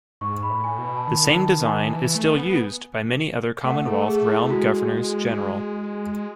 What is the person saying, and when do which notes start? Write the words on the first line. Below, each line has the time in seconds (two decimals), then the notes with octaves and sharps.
The same design is still used by many other Commonwealth Realm Governors-General.
0.21 G#2 C#6
0.43 B5
0.50 A2
0.64 G#5
0.78 B2
0.86 B5
0.97 A5
1.07 D#3 B5
1.36 A5
1.64 G#5
1.93 E3
2.15 A3
2.36 B3
3.64 A3 F#5
3.86 A4
4.08 G#4
4.29 E4
4.46 A3
4.50 G#3 F#4